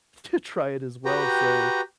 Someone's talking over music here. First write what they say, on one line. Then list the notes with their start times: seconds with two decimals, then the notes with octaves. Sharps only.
to try it as well so,
1.05 F#4 G4 B4 G5 A#5